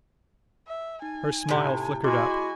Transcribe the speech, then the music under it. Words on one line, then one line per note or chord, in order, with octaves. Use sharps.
Her smile flickered up.
E5
D#4 G#5
A2 C3
G#3 E4 F#4 G#5 C6 D6